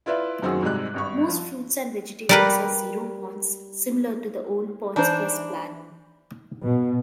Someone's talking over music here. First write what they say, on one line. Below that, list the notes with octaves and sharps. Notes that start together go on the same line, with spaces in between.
Most fruits and vegetables are zero points, similar to the old PointsPlus plan.
E4 F4 B4 D5 E5
F#2 D#3 C4 F#4 G#4 E6
G#2 C3 G3 G#3 F#6
G#1 G2 C#6
F3
G3 A#4 B4
E3 D4 D#4 C5
B2